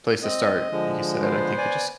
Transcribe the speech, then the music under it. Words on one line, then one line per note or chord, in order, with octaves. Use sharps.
place to start. Like you said, I think you just
C4 D#5
D3 F3 G#3
B3 C5
D5 G#5